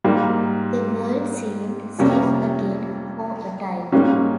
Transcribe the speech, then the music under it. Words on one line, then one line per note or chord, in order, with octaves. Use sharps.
The world seemed safe again, for a time.
G#2 G3 A#3
F2 C3 G3 A#3 C#4
G#2 G3 A#3 C#4